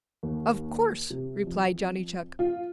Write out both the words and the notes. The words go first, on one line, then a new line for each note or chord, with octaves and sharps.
"Of course," replied Johnny Chuck.
D#2
C3
F2
F4